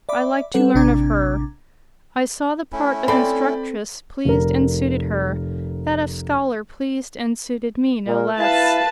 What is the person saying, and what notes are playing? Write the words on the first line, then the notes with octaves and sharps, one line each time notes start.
I liked to learn of her: I saw the part of instructress pleased and suited her; that of scholar pleased and suited me no less.
D5 E5 B5 D6
G3 C4 A4 B4 F#5
A1 C3 D4 A#5 D6 G#6
A3 C#4 E4
C4 A4 D5 G5 B5
F1 A#4
A#2 A#4
E4 B4 F5 A5